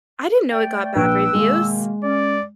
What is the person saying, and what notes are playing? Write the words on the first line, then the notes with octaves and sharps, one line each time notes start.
I didn't know it got bad reviews.
A3 D5 G5
A#1 B4 G5 E6
B2 D#3 G#3 A#3
C#4 D5